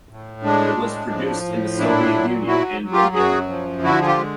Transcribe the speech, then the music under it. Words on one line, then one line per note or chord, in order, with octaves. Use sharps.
It was produced in the Soviet Union and Bulgaria.
A2
G#3 D4
A2
F3
A2
A#2 D4 E4
F#3
F#3 E4 F#4
F#3
F4 G4
F#2 F#4 G#4
F3
D3 E4 F#4
G#4
F4 G4
G#3